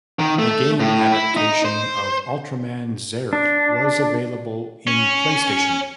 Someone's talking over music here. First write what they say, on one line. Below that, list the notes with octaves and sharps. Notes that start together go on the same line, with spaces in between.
A game adaption of Ultraman Zearth was available in PlayStation.
D#3
A3
A2
E4
D#4
C5
D4
C#4